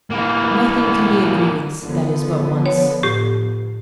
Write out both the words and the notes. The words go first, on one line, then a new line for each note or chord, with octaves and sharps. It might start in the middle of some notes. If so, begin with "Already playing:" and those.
Nothing can be a grievance that is but once.
E3 A#3
D3 F3 B3
C#5
A2 G4